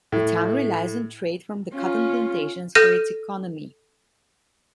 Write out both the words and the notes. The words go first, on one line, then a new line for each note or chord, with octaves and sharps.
The town relies on trade from the cotton plantations for its economy.
A2
C#4 F4
A4 F6 G6 A#6 D#7